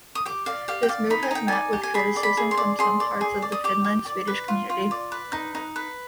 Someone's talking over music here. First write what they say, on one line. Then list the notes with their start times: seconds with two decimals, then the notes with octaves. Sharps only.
This move has met with criticism from some parts of the Finland-Swedish community.
0.15 D#6
0.25 G4 D6
0.46 D5 F5
0.68 G4 F5
0.83 G5
0.89 D5 F5
1.10 D#4 B5
1.23 G#5
1.31 D#4 G5
1.48 D5 G#5
1.73 G4
1.83 G#5
1.94 G#4 B5
2.16 D5
2.23 B5
2.37 G#4
2.51 C6
2.57 D5
2.79 G#4 C6
3.00 D5
3.21 G#4
3.42 D5
3.52 D#6
3.64 G4 D6
3.84 G4
4.06 D5
4.27 B4
4.48 F4
4.70 F4
4.91 D5
5.12 B4
5.33 D#4
5.55 D#4
5.76 B4